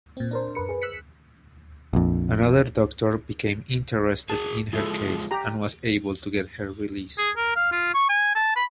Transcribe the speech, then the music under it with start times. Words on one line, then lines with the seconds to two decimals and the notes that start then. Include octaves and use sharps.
Another doctor became interested in her case and was able to get her released.
0.17 A#2 C4
0.31 D4 A#4 C5
0.55 F#2 A#4 B4 C#7
0.69 G#4 B4
0.82 E6 F#6 B6 C#7
1.93 A#1 F2
4.30 F#4 G#4 A5
4.73 F3 G#3 E4 A4
5.31 G4 A#5
7.18 G#4
7.36 A#4
7.56 F5
7.72 F4
7.94 C#6
8.09 G#5
8.35 A5
8.56 B5